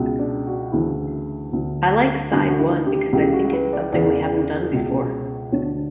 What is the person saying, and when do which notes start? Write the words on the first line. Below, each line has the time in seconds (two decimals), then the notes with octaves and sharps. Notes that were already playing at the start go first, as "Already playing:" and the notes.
I like side one because I think it's something we haven't done before.
Already playing: C#2 B2
0.19 D4
0.47 F#4
0.72 D2 C#3 E3 E4
1.53 D2 D3
2.32 D2 D3 D4
2.48 F#4
2.59 E4
2.86 G4
3.13 C#2 C#3 E3 G4
3.33 F#4
3.53 B4
3.73 D5
3.92 E2 C#3 E3 D5
4.72 C#2 B2
5.52 D2 D3 C#5